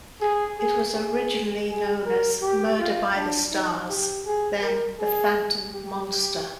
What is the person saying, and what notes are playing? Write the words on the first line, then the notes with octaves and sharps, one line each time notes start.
It was originally known as "Murder by the Stars" then "The Phantom Monster".
G#4
G#4
G#4
G#4
A#4
G4
F4
D4
D#4
G4
G#4
A#4
G#4
G4
G4